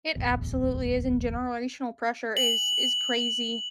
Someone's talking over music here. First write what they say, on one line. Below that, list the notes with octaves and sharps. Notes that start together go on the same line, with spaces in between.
It absolutely is, and generational pressure is is crazy.
D1 A1 E2
F#7